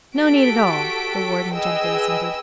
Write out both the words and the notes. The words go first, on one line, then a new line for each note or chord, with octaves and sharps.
"No need at all," the Warden gently assented.
F#4 G4 A4 B6 D7
G#4 B4 D#5 G5 E6